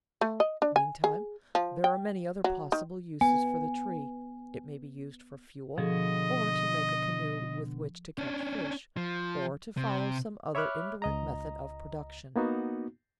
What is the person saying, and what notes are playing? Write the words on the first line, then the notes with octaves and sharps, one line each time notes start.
Meantime, there are many other possible uses for the tree: it may be used for fuel, or to make a canoe with which to catch fish, or to follow some other indirect method of production.
A3
D#5
D4
G#5
G#4
F3
G5
F#3
D#3
B3 G#5
B2 D3 F3 F#4 G#4 A4 D#5
C#4 D4
F3
C3
C#5 E5 B5 D6 F6 F#6
C#2 D#5 A#5
A#3 B3 D#4 F#4